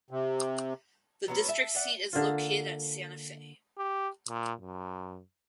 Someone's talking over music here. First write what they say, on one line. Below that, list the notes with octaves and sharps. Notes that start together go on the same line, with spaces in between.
The district seat is located at Santa Fe.
C3
F#3 B3 C#4
E5 A5
D5 F#5
D3 A#3 F4
G4
A#2
F#2